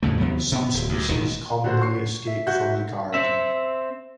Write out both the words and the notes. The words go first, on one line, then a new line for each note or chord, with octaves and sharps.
Some species commonly escape from the garden.
E2 A2 C#3 A3
D#2 C3 F#3 B3
C3 B3
D1
D2 G2
E1 D#2 D#3
A2 D3 F#4 C5
C#6 C7
E5
C2 F#4 G6
C4 E5